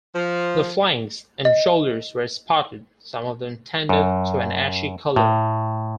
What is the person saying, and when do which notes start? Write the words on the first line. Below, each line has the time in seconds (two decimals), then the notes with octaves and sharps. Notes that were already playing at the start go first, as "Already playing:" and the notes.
The flanks and shoulders were spotted, some of them tended to an ashy colour.
0.15 F3
1.45 D#5
3.89 F#2
5.16 A2